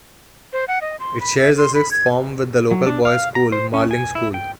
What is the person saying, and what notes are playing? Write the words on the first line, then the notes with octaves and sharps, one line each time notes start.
It shares a Sixth Form with the local boys' school, Marling School.
C5
F#5
D#5
C6
B5
E5
C6
B5
G#6
F#3
D4
F5
A#5
C5
C#4
G#5
E4
G5